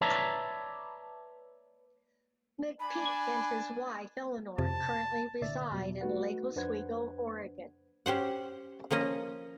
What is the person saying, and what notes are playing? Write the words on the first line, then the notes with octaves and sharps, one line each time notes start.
McPeak and his wife Elynor currently reside in Lake Oswego, Oregon.
B4 C#5 D5 E5 A5 A#5
D4 G#5 B5
F2 C3 A5
C2 A#2 D3 D5 E5 A6
E2 B2 F#3 G3
A3 D#4 F#4 B4 F#5
F2 D4 B4 C5 F#5 G#6
C#4 G4 C5 F#5
F3 A#3 C#4 D#5